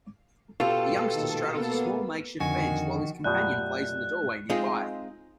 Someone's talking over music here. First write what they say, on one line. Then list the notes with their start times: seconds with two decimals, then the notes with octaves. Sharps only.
A youngster straddles a small makeshift bench while his companion plays in the doorway nearby.
0.60 B2 F4 G4 A4
1.14 A#2 D#3
1.55 A#3 B3
2.40 F2 D3 D#3 F#4 G#5
3.24 F#2 B2 A3 F4 G4 D5 F#6 G6
4.50 G#3 C4 D#4 F4 G#4